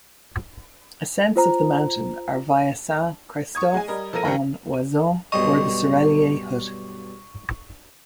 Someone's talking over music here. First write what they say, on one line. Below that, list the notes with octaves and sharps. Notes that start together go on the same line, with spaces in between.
Ascents of the mountain are via Saint-Christophe-en-Oisans or the Soreiller hut.
F4 C5 A#5
C#6 D#6 G#6
G#3 G#5
G3 A#4 D#5
F3 A4 A#4 A#6 D#7
D#2 G3 C4 A#4 G5 C#7
B1 G2 D#5 C#6